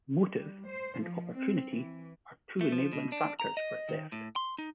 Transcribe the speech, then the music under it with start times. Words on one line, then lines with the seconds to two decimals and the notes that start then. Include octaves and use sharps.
"Motive" and "opportunity" are two enabling factors for theft.
0.23 G3
0.65 C5
0.99 F3
1.33 C4
1.71 E3
2.61 A3
2.72 F3
2.93 B2
3.12 D4
3.40 A#5
3.57 D#5
3.89 D#3
4.12 A2
4.36 C6
4.58 D#4